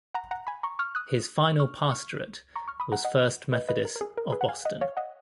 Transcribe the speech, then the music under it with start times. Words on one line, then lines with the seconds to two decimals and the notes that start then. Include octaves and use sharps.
His final pastorate was First Methodist of Boston.
0.14 F#5 A#5
0.31 F#5 A#5
0.47 G#5 B5
0.63 A#5 C#6
0.79 C#6 F6
0.95 D#6 F#6
1.60 C#6 F6
1.91 C#6 F6
2.56 A#5 C#6
2.68 C#6 F6
2.80 B5 D#6
2.92 F#5 A#5
3.05 D#5 F#5
3.52 B4 D#5
3.69 B4 D#5
3.85 A#4
3.96 A#4
4.01 G#4
4.17 A#4
4.32 G#4 B4
4.41 F#5
4.48 F5 G#5
4.65 D#5 F#5
4.81 C#5 F5
4.97 D#5 F#5